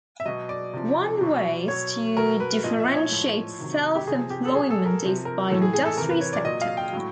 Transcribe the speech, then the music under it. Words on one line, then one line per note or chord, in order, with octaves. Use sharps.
One ways to differentiate self-employment is by industry-sector.
E5
B2 F#3 D#5
D5
C3 F3
B2 F#3
B2 F#3 C#5
B2 F#3 A#4
B4
A#2 F3 D#5
E5
C#5
A2 F3
C3 D#3 F#3
G4
C3 F3 G#4
G4
A4
B2 F#3 G#4
A4
A#4
C3 F3
A#4
A2 E3 A4
G#4
G#4
A4
C3 E3 A#4
B4
C#5
D5
A#2 F#3 D#5
F5
G5
A2 F#3